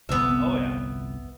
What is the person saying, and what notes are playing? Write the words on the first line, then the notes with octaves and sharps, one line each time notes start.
Oh yeah,
G1 C2 F2 B3 E5